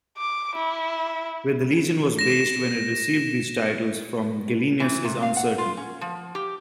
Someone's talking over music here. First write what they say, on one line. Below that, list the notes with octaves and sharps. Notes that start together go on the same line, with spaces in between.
Where the legion was based when it received these titles from Gallienus is uncertain.
D6
E4
A#6 E7
E3
C3
F5
F#5
F4
C#4
F3
G4